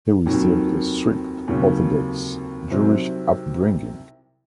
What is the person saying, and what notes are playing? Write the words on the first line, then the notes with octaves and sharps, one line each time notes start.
He received a strict Orthodox Jewish upbringing.
F1 D#2 D#3 F#3
F1 D#2 C#3 F#3 C#4
C2 C3 D#3 F#3 C4